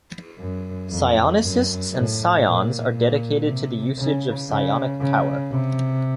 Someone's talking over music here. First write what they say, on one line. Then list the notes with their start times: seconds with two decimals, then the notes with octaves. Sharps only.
Psionicists and Psions are dedicated to the usage of psionic power.
0.38 F#2
0.89 F2
1.41 F#2
1.93 A2
2.44 A#2
2.95 A#2
3.46 C3
3.98 C#3
4.50 C#3
5.00 C#3
5.51 C3